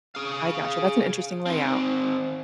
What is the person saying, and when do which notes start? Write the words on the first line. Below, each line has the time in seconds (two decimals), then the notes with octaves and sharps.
I gotcha. That's an interesting layout.
0.15 G#4 F5
1.46 D#3 C4